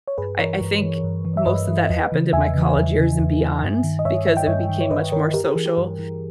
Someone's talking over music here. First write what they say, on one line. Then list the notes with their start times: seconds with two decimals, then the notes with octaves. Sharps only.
I I think most of that happened in my college years and beyond because it became much more social,
0.08 C#5
0.18 G2 G#4 B4
0.39 E3 A#4 C#5
0.61 G2
0.82 E3
1.04 G2
1.25 E3
1.37 E5
1.46 G2 B4 D#5
1.68 E3
1.90 E2
2.12 C#3 E3
2.33 E2 E5 G#5
2.54 C#3 E3
2.77 E2
2.98 C#3 E3
3.19 E2
3.41 C#3 E3
3.62 G2
3.83 D#3
3.99 D#5
4.05 G2 C#5 E5
4.27 D#3 E5
4.37 G5
4.47 G2 C#5 E5
4.69 D#3
4.81 C#5
4.91 G2 B4 D#5
5.12 D#3 A#4 C#5
5.34 G2 G4 A#4
5.44 G4 A#4
5.55 E3 G#4
5.66 G4
5.78 G2
5.99 E3